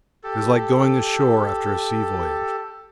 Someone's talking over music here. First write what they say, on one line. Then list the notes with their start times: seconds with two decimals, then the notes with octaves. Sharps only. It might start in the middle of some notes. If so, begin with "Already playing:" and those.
It is like going ashore after a sea voyage.
0.24 G4 A4